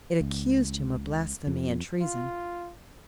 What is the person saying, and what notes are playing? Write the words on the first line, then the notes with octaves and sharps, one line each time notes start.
It accused Him of blasphemy and treason.
C#2
F2
F4